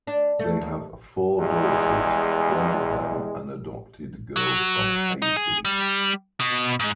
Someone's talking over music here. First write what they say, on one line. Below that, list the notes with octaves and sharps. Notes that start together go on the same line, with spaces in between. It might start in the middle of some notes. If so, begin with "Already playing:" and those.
They have four daughters, one of them an adopted girl from Haiti.
D4
A3
D#2
E2 G3 G#3
F#3
D#4
G#4
G3
B2
G#2